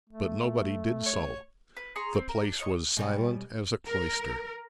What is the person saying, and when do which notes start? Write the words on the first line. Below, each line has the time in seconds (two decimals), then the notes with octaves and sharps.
But nobody did so: the place was silent as a cloister.
0.09 A3
1.06 C#5
1.77 B4
1.96 G#4 A#5 C6 C#6
2.15 C4
2.29 A#4
2.44 D4
2.60 C#5 D#5 C#6
2.97 B2 G3 C#4
3.88 A#4